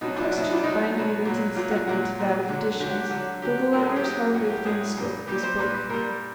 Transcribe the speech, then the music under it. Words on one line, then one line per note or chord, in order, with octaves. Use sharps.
The question of binding leads incidentally to that of editions, though the latter is hardly within the scope of this book.
B2 F#3 D#4
D4
F#3 E4
B2
D#4
D4
B2 F#3 D#4
B2 F#3
A#2 F#3
A#2 F#3 F4
F#4
A#2 F#3 F#4
A#2 F#3
D3 F#3
D3 F#3 G4
F#4
G4
D3 F#3
D3 F#3 G4
A2 F#3 A#4
A4
G#4
G4
A2 F#3 F#4
A2 F#3 F#4
G4
A2 F#3 G#4
A#2 G3
A#2 G3 G4
C5
A#2 G3 B4
A#2 G3 A#4